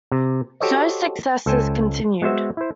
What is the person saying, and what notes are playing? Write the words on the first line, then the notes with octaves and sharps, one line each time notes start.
Zuo's successes continued.
C3
F#4 G4 A4 C5 C#5 D#5
C#2 A4 C5 G5 G#5
G#3 B3 F#4 C5 E5
E4 C5